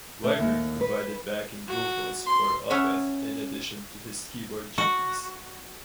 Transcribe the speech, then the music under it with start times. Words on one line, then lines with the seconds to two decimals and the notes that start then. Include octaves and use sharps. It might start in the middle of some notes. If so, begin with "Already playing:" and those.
Wiberg provided backing vocals for Opeth in addition to his keyboard duties.
0.24 A3
0.39 D#2
0.81 B4
1.67 F#4
2.26 C6
2.70 C#4 E5 F#5 B5
4.78 F#4